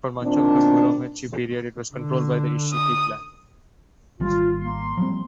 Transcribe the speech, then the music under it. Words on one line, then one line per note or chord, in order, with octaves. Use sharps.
For much of the Muromachi period it was controlled by the Isshiki clan.
A#2 D#3 C4 D4
D3
D#6
G#1 D#3 G3 F4
A#3 C6
F3 G3 C4